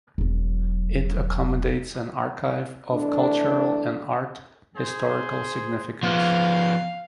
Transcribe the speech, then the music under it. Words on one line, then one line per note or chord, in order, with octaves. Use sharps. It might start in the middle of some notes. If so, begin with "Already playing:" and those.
It accommodates an archive of cultural and art historical significance.
E1 F#3
E2 A3 D4
G#4 C5
F3 B3 F5